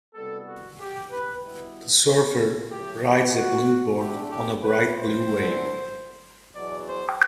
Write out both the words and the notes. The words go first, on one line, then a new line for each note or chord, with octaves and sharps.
The surfer rides a blue board on a bright blue wave.
C2 B2 G3 B3 A4
F#4
G4
B4
B2 G3 B3 E4
A2 F#3 A3 G4
G4
F#4
E2 D3 A3 D4 G4
G4
B4
C5
D2 D3 F#3 C4 E4
E2 B2 F#3 D5
C5